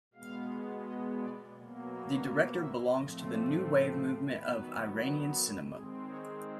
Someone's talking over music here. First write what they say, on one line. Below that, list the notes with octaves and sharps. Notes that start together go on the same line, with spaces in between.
The director belongs to the new wave movement of Iranian cinema.
B2 G#3 B3 F5
D#5
D5
B2 F#3 A#3
E5
A2 F3 A3 C4 D#5
D5
D#3 F#3 B3 B4
A#4
A4
D#3 G#3 C4 G#4
C#5